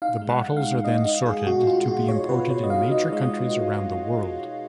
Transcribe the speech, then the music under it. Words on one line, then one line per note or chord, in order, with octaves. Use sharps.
The bottles are then sorted to be imported in major countries around the world.
D#4 F5
G#3
F#5
G#3
F5
G#3
D#4 D#5
D#4 D#5
G#3 G#4
B2 F#4
F#4
G#3 F4
B2 F#4
B2 C#5
B2 B4
B2 C#5
D#5
D#4 F5
D#4 D#5
G#3 D#5